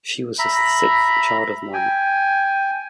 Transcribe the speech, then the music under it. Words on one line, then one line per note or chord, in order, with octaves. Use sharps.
She was the sixth child of nine.
E5 A#5 B5
G5 G#5